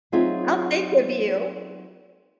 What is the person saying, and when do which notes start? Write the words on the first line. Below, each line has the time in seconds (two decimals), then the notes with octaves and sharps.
I'll think of you.
0.12 F#3 C4 D#4 F4 G#4 E5